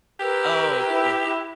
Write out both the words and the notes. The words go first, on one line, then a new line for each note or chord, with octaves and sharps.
Oh, cool.
G4 A#4 B4 E6
E4